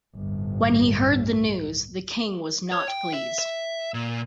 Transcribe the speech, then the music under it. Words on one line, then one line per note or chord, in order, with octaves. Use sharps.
When he heard the news, the King was not pleased.
G1 C2 A2
C#5
G5
E5
E5
A#2